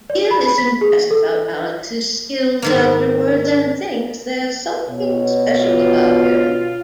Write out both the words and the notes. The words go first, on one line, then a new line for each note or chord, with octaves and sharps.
Gill is impressed about Alex's skills afterwards and thinks there's something special about him.
D5
B5
B6
G#4
A4
G#2 D#3 A#3
B2 C#5
F4